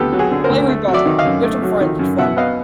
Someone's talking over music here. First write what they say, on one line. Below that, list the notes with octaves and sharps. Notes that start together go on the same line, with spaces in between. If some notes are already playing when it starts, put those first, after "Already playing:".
Play Repo, with some friends, it's fun.
Already playing: D2 D3 B3 F4 G4 A4
F#3
F#4 G#4
D3
A#4 C5
D2
A3
F#3
D5 E5
D#3
D#5 F5
F#2
A3
F#3
D#3
F#2
B2 E5 F#5
B3 D#5 F5